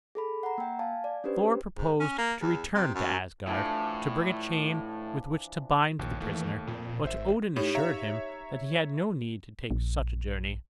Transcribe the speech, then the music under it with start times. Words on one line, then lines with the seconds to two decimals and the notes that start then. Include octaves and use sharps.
Thor proposed to return to Asgard, to bring a chain with which to bind the prisoner; but Odin assured him that he had no need to take such a journey.
0.15 G#4 A4 B5
0.43 F#5 A#5
0.58 A#3 G5
0.79 F5 G#5 A5
1.04 D5
1.24 C#4 D4 G4 B4 C5
1.77 G#2
2.00 C#4
2.18 A#3
2.41 E2
2.75 C3
2.95 F#2
3.47 A2 E3 F3 D4
5.99 A#1 D#2
6.20 D#2 E3 A3
6.67 F2 A#2
7.05 G#1 C5 E5
7.56 A2 D#4 G4 C#5
7.75 C#5 E5 F5 A#5
9.71 A#1